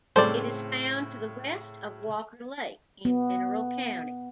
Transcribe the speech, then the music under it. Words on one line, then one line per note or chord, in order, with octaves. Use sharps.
It is found to the west of Walker Lake in Mineral County.
A2 C#3 G3 C4 A4 C5 D5
B3